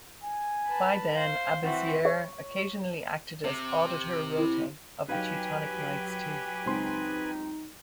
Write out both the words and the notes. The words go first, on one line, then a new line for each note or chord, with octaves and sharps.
By then, Abezier occasionally acted as "Auditor Rotae" of the Teutonic Knights too.
G#5
B4 A5
C5 F5 C6
E3 C4 F#4 F#5
C#5
C3
E4
F#3 D#4 G4 B4 F5 G5 G#5
C#2 C4 D#4 C6